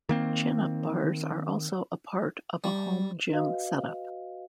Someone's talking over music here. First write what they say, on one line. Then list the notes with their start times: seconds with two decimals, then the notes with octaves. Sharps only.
Chin up bars are also a part of a home gym setup.
0.09 D#3 A#3 C4
2.64 G3
3.33 F#4 B4 D#5 F5